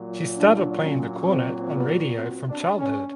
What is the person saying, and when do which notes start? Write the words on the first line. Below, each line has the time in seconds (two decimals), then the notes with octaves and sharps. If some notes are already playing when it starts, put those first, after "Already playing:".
She started playing the cornet on radio from childhood.
Already playing: A#2 F#3
0.37 D4
0.82 C#4
1.27 C4
1.73 B3
2.17 C4
2.48 D4
2.77 C#4